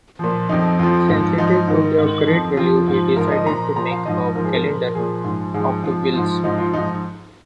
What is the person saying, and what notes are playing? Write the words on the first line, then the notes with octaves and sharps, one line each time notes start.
Sensitive to their great value, he decided to make a 'Calendar' of the Wills.
A#2 F3
F2 F3 D#4
F2 F3 F4
G#2 F3
G#2 F3 D#4
G#2 D#3
G#2 D#3
F2 F3
F2 F3 F4
G#2 F3
G#2 F3 A#4
D#5
A#2 F3 A#5
A#2 F3 A#5
F5
G#2 F3 D#5
G#2 F3 A#4
G#4
A#4
A#2 F3
A#4
A#2 F3 G#4
G#2 F3
G#2 F3 G#4
G#2 F3 F4
G#2 F3 F4
G#2 F3 D#4
F4
G#2 F3 D#4